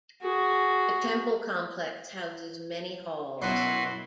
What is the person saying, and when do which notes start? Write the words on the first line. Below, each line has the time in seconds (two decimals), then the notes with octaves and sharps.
The temple complex houses many halls.
0.21 F#4 G#4
3.42 F#2 B2 F#3 E4 F#4 B4 C6